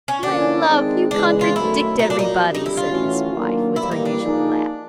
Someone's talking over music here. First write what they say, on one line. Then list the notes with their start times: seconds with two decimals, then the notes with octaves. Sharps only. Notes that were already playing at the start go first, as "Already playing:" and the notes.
"My love you contradict every body," said his wife with her usual laugh.
0.08 C#4
0.23 D3 F3 A#3 C#4 D4
0.67 D#3 G#3 C4 D#4 G#4
1.11 E2 C#3 E3 G#3 D4
1.41 F4
1.56 F#2 D#3 F#3 A3 E4
1.99 A#2 F#3 A#3 D#4
2.10 D4
2.19 D#4
2.44 F2 D3 G3
2.55 D#4
2.66 E4
2.77 F4
2.88 A2 E3 A3 C#4 F#4
3.32 D#3 F#3 A#3 D4
3.76 A2 E3 G3 A#3 E4
3.91 D#4
4.05 D4
4.20 F3 A#3 D#4 G#4